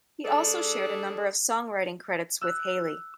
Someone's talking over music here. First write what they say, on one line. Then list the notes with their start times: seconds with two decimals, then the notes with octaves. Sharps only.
He also shared a number of songwriting credits with Haley.
0.24 G3 D4 G#4 A4
2.41 E6 F#6